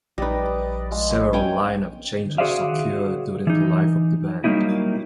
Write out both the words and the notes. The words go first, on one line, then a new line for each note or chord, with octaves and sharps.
Several line-up changes occurred during the life of the band.
A#1 G3 D#4 B4 D5 D#5
G#3 F4
C#4 G5 G#5
F#4 G#4 C5 D5 E5 F5
E3 D#4
F#3 G3 A#3 C#4 D#4 E4